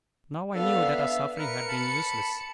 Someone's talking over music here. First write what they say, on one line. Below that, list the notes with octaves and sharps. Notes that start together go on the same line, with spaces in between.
Now I knew that our suffering had been useless.
B3 D4 A4 F5
E5
A#4 B4 F6 C#7
A5 B5